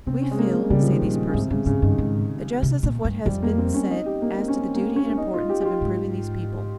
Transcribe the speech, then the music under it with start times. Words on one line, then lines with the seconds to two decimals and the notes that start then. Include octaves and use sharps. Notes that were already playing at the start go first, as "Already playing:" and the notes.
We feel, say these persons, the justice of what has been said as to the duty and importance of improving these people.
0.07 C3 C4
0.22 C#4
0.31 G#3
0.38 A#3
0.54 A#3
0.70 C#3 G3
0.83 F3
0.91 D#3
1.02 A#2
1.14 C#3
1.29 C#3
1.34 G#2 C3
1.50 G#2 C#3
1.66 G#2 C#3
1.82 G2 D#3
1.98 G#2
2.62 C3
2.83 A#2
3.05 G2
3.26 F2 G3
3.43 A#3
3.58 C4
3.74 C#4
3.90 D#4
4.06 G4
4.22 A#3
4.38 C4
4.48 C#4
4.53 C4
4.75 A#3
4.96 C#4
5.10 C#4
5.17 D#4
5.34 F4
5.49 G4
5.61 G4
5.65 F4
5.81 G#2